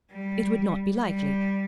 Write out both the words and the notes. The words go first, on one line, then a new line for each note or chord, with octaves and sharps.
It would not be likely.
G3
G3